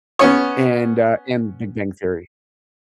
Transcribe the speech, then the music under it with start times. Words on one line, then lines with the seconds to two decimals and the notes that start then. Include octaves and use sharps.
and, uh and Big Bang Theory.
0.19 B3 C#4 C#5